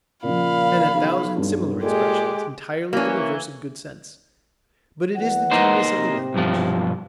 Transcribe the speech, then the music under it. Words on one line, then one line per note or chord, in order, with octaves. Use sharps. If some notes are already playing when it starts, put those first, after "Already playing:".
And a thousand similar expressions entirely the reverse of good sense. But it is the genius of the language.
A#2 C#3 F3 F5 B5
B1
G2
A#2 G#3 G4 A4
E3 A#3 C#4
E2 B4 F#5
A#3 D#4 C5
C3
B1 G2 F3